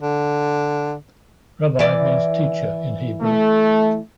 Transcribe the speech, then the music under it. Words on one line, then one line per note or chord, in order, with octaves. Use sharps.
Rabbi means teacher in Hebrew.
D3
E3 D5
A3